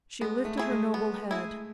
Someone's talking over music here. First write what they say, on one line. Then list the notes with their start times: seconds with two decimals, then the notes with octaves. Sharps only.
She lifted her noble head.
0.21 G#3 B3
0.45 A3
0.58 E4 G#4
0.70 G#3
0.94 B3
1.31 E4 G#4